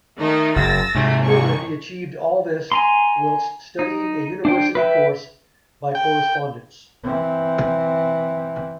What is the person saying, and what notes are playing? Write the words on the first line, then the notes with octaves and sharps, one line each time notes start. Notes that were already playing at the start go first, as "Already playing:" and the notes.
Further he achieved all this whilst studying a university course by correspondence.
D#3 A3 D#4
F#1 E6 A6 A#6
G#2 C3 A3
C2 C#6
G#5 A#5 C6
D#4
D4 C5 G5
B4 E5 G5
G5
E3 C4